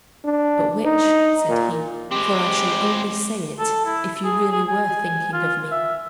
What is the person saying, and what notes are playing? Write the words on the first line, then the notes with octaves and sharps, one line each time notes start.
'But which?' said he--'for I shall only say it if you really were thinking of me.
D4
D#4
A#2
G#3 C4 G4
A4
E4
G#4
G#4
G#5
F4
E5